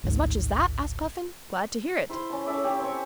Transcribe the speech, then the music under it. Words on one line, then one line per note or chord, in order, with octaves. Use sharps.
"As much as that?" asked Puffin, "Glad to hear it."
A1 D2 G#2
E4 C5 C6
C#4 A5
C#4 A4 E5 D6
C#4 G4
C4 C#5 C#6